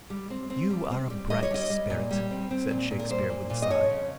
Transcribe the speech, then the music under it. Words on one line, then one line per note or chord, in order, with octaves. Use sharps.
"You are a bright spirit," said Shakespeare, with a sigh.
G3
C4
C4
G3
C4
G3
G3 D#5
C#5
G3 D#5
G3
A#2
G3
C4
C4
A#2
A#2
A#4
G3 C5
A#2
A#2
D#5
F2 C#5
C#3